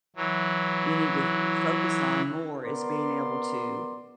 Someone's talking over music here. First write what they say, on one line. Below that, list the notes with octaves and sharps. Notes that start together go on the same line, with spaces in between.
we need to focus on more is being able to
E3 F#3
B3 A#4 D5 C6